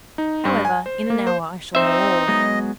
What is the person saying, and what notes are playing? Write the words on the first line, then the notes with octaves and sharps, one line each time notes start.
However, in an hour I shall know all.
D#4
G2
G#5
C5
A#3
C5
C4 D#4 C5 E5
F#3 G#3 B3 D#5